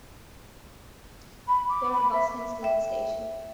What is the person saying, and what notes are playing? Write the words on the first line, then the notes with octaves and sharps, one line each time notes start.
There are bus links to that station.
B5
D6
B5
E5
E5 G5